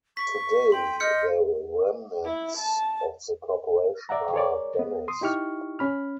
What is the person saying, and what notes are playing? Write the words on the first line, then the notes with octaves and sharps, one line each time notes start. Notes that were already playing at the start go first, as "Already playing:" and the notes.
Today the remnants of the corporation are Denny's.
C#6 B6
G5 C6
D#5 F6 G6 C#7
E4
A5
D5 E5 F#5 A#5
G#4 A#4 C#5 D5
B3
C6 D#6
D#4 E4 G4 C#6 F6
C#4 B5 F6